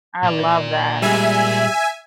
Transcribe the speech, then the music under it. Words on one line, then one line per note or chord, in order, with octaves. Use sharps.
I love that.
A#2 D5
G3 G#3 E5 G#5